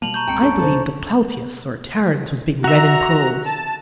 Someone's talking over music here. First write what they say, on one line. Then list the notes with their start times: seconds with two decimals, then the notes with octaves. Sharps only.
I believed that Plautus or Terence was being read in prose.
0.02 B2 G3 A#3 A5 F7 F#7
0.14 A#5 C#6 G6
0.27 C#2 G#3 C4 G5 A#5 C#7
0.43 A4 D5 C#6
0.59 C3 A4
2.64 F#4 E5 A#5
3.46 A5